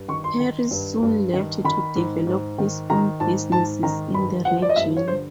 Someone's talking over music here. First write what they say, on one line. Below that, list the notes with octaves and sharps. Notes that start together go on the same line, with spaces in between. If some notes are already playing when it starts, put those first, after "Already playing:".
Harris soon left to develop his own businesses in the region.
Already playing: G2
D#3 C#6
C6
D#3
G2
G2
D#3
D#3 B5
G#2
G#2
D#3
D#3 A#5
G#2 A5
G#2 A5
D#3 A#5
G2 B5
F3 F#5
D5
D#5
G2 E5
C#5
D3 C5